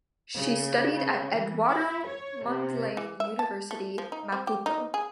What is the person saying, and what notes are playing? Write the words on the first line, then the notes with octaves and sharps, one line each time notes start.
She studied at Eduardo Mondlane University, Maputo.
C#3
E3
E4
C#5
C3
E3
E5
A5
A3
F3
D#4
C4
G4
D#4
G#4